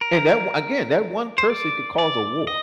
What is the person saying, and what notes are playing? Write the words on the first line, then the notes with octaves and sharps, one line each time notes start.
and that o Again, that one person could cause a war.
A#4
C5
D5
D5
D#5